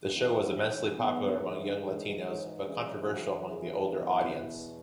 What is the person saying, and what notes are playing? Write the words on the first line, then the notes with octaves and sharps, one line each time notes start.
The show was immensely popular among young Latinos, but controversial among the older audience.
G#2 E3 B3 E4
G#3 C#4
G#2 E3 F#3 B3
E3 G#3
G#2 E3
F#2 C#3 E3 G#3 C#4
C#4 F#4
F#2 C#3 E3 E4 G#4
B3 E4
E2 B2